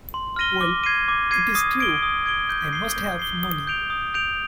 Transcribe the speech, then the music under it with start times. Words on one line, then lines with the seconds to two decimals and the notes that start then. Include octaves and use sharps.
Well, it is true; I must have money.
0.14 C6
0.36 F6 A#6 D#7 G7
0.61 D6
0.84 G#6 C7 D#7
1.08 D6
1.31 G#6 C7 D#7
1.55 D#6
1.79 G#6 D7 G7
2.03 D#6
2.26 G#6 D7 G7
2.49 G6
2.73 C7 G7
2.96 G6
3.19 C7 G7
3.43 D#6
3.67 G6 D7 F7
3.90 D#6
4.14 G6 D7 F7